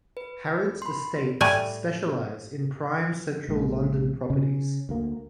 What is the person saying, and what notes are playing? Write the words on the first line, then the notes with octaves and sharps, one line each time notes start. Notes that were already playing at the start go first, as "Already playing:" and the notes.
Harrods Estates specialise in prime central London properties.
B4
B5 C6
A2 G3 A3 G4 D5 G#5
A#1 G#3
C#3 C#4
D2 A#3